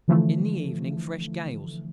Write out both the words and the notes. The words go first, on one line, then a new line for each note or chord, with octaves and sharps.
In the evening fresh gales.
D3 E3 F3 A3